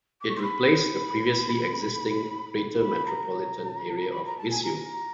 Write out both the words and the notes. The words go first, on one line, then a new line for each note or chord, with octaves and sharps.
It replaced the previously existing "Greater Metropolitan Area of Viseu".
D6
C#6
C6
B5
B5
B5
A#5
B5
A#5
A5
G#5
A#5